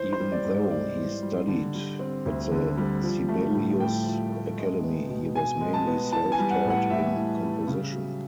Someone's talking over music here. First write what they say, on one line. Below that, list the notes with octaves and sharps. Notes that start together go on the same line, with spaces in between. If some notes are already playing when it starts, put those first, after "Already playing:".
Even though he studied at the Sibelius Academy, he was mainly self-taught in composition.
Already playing: E3 C5
C5
G3
D5
G#2
G#2 D5
E3
G3
D3
G3
C4
D2
D3
G3
F3
A3
A2
A2 G5
F3
A3
G#3
B3
B2
B2 G#5
G#3
A5
B3
E3 A5
G#5
G3
F#5
A2
F#5
A2 E5
E3
G3
C#3
F#3